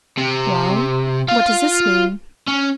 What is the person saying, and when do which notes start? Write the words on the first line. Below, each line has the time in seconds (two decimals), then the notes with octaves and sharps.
'Well? what does this mean?'
0.17 C3
1.28 F4 F5
2.47 C#4